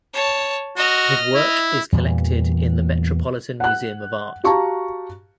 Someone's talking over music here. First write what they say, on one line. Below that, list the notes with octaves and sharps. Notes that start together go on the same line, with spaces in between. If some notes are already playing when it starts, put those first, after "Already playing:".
His work is collected in the Metropolitan Museum of Art.
C#5 A5
F#4 D#5 F6
E4
E2 A#2 E3 G3
F#5 F#6
F#4 G4 F5 A5 A#5 C#6